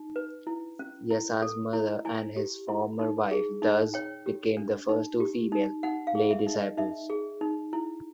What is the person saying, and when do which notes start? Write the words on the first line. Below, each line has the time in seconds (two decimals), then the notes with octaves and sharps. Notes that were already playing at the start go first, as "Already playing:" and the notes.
Yasa's mother and his former wife thus became the first two female lay disciples.
Already playing: D#4
0.16 B4
0.47 E4
0.79 C#4
1.11 E4
1.42 A4
1.73 E4
2.05 E4 G#5
2.36 G4
2.69 E4
2.99 D#4
3.31 G#4
3.62 D#4
3.94 C#5 G5
4.26 G4
4.57 D4
4.89 D#4
5.20 G4
5.52 D#4
5.83 D#4 F#5
6.07 F5
6.15 G#4
6.31 E5
6.47 D#4
6.54 D#5
6.77 D#4 E5
7.10 G#4
7.41 D#4
7.73 E4